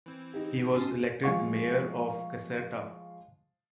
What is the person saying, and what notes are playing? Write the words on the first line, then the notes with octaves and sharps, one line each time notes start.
He was elected mayor of Caserta.
E3 C4
D#4 G4
C#4 A5 C6 D#6
F3 G#3 F5 C#6